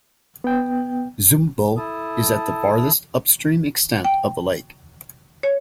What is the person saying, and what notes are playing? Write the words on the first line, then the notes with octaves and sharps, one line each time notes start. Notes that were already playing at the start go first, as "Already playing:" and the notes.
Zumbo is at the farthest upstream extent of the lake.
B3 G5
E4 A4 A5 D#6
G5
C#5